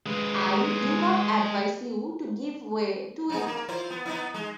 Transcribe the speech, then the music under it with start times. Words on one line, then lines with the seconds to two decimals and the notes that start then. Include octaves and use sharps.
I do not advise you to give way to it.
0.06 G#3 B4
3.30 G#2 D#4 G#4
3.47 A#3
3.68 E4 F4 C5
3.91 B3
4.06 B3 D#4 E4
4.34 G#3